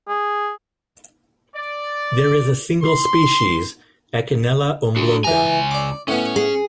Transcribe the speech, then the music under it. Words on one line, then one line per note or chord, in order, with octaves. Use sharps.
There is a single species Echinella oblonga.
G#4
D5
C6
D4 F#4
C#2 E3 G#5 A#5
D5 D6
A2 B3 C#4
G#4